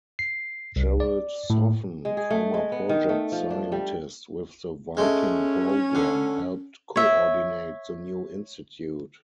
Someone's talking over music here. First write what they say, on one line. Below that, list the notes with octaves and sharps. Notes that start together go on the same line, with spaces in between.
Gerald Soffen former Project Scientist with the Viking program, helped coordinate the new institute.
C7
C2
D5
A2
G#3
G#4
A3
G#3
B3
D#3
A3
F3
D4
G3
G#3 A3 C#4
D3
C#5 E5